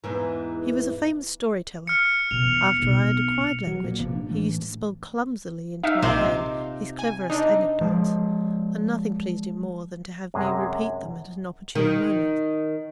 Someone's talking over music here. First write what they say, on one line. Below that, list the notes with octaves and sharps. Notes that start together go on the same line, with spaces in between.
He was a famous story-teller; after I had acquired language he used to spell clumsily into my hand his cleverest anecdotes, and nothing pleased him more than to have me repeat them at an opportune moment.
E2 G#2 E3
F6 C#7
B2 F7
E1 E3
B1 B2
F#3
A#2
G#1 C3 F3 A#3
D4
A2 E3 A3
D#4 E5 F5
A#1 C3 D#4 F4 C6 D6
G#5
C4 D4 D#4 D#5
F3 G#3
F#2 C3 G#3 G#4 D#5
D#3